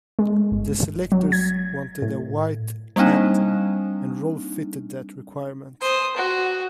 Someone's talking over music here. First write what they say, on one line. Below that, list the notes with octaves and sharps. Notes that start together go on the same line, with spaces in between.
The selectors wanted a white captain and Rolph fitted that requirement.
G#3
G1
F#3
G#6
A2
G3 A#3 C4 D4 D#4
C5 D#6
F#4